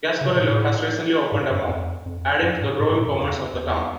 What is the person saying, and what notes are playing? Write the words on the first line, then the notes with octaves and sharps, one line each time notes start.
Gasparillo has recently opened a mall, adding to the growing commerce of the town.
C#3
B2
A#2
A2
G#2
F#2
F2
F2
F#2
G#2
A2
G#2
A#2
F2
E2
E2